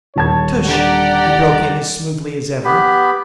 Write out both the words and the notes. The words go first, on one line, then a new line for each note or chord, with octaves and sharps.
"Tush," he broke in as smoothly as ever.
D#1 C#5 A5 G#6
D3 G3 G4 D5 F#5 A#5
B3 G4 B5